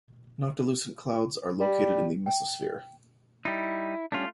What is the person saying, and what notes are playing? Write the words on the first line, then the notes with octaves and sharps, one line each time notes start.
Noctilucent clouds are located in the mesosphere.
G3
G5
G3 D#4 E4
G3 A3 C#4 D4 F4